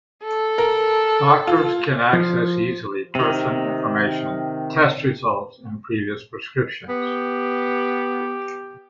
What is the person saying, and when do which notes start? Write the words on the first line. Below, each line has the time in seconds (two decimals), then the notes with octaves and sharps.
Doctors can access easily person information, test results, and previous prescriptions.
0.24 A4
0.58 A#4
1.47 F4
2.13 F3
3.15 C3 D#3
6.89 B3 G4